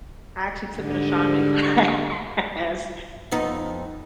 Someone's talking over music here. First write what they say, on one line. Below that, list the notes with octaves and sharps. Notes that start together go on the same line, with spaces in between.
I actually took an astronomy class,
G#2 D3 G3
F2 B3 D#4